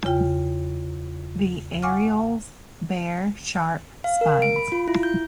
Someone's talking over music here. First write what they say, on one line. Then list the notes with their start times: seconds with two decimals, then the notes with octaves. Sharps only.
The areoles bear sharp spines.
0.04 E2 C#3 F4 G5
1.82 F5 F#5 G#5 C#6 D6 F6
4.04 F5
4.21 A#4
4.42 D7
4.56 B5
4.72 F4
4.88 E4
5.03 G6